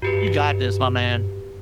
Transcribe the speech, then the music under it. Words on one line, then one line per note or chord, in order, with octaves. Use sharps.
You got this, my man.
G2 F#4 G4 B4